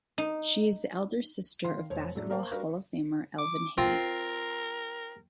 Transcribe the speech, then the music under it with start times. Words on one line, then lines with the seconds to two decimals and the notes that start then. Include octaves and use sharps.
She is the elder sister of basketball Hall-of-Famer Elvin Hayes.
0.18 D#4
1.64 D#3 F5 C6
1.90 F1 C5 C#5
2.15 A2 F#3 A3 D4
2.30 A#3 A#4 C5 F5 A5
2.51 G3 D4 F#4 A#4 B4 F5
3.39 D6
3.78 C4 F4 A#4